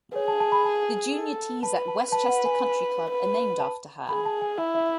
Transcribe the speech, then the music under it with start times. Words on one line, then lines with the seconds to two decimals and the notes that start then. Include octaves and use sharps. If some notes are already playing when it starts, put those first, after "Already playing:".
The junior tees at Westchester Country Club are named after her.
0.12 B4
0.15 G#4 C#5
0.28 A5
0.40 A5
0.52 B5
0.65 A5
1.14 A4
1.63 B4 A5
1.88 A5
2.12 B4 A5
2.28 F#5
2.45 G#5
3.11 B4
3.60 A5
4.09 G#4 B5
4.26 A5
4.42 G#5
4.58 E4 E5
4.75 E5